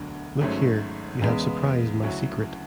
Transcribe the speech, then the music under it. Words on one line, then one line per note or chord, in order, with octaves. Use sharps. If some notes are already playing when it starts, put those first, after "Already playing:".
Look here, you have surprised my secret.
Already playing: E1 D2 D3 F#3
G#1 G#2 F#3 A3 C#4
E2 C#3 G#3 B3
D2 C#3 F#3 C#4 E4